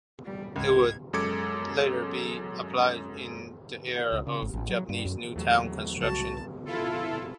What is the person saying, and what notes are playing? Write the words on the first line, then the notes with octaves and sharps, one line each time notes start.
It would later be applied in the era of Japanese New Town construction.
G3
C#2 G#2 G#6
F#2 G#3 A4 D6 G#6 C#7
C#2
C#3
G#1
A1
F#3
G2
F#2
E2 F#3 A3
C2 C#3 G3 F#4 A5
E4 F4 A4